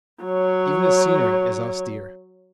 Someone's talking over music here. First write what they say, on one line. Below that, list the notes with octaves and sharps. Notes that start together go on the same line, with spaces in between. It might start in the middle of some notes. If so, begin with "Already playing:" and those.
Even the scenery is austere.
F#3 C#5